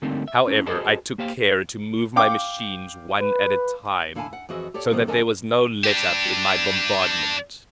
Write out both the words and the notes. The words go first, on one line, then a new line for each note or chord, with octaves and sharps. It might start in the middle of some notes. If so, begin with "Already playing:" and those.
However, I took care to move my machines, one at a time, so that there was no let-up in my bombardment.
D3 G3 A3 A#3 C4 D#4
E5
C#4 E4
F#4 G#4 A4 B4 C5 D#5
A#3 G4 C5 F5
F5 G5 D6
B4
D3 E4 F5 F#5 G#5 A5
F#5
F2 E3 F#4 G#4 D#5
G4 A4 C#5 D5
B2 D#3 F3 G3 A#3 C4
F2 D3 A4 A#4 D#5 G#5
D4 G4